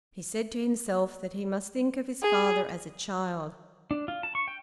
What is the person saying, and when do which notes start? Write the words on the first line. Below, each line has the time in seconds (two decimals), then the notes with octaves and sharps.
He said to himself that he must think of his father as a child.
2.22 G#4
3.91 D4
4.08 F4
4.23 A5
4.35 C#6
4.48 G5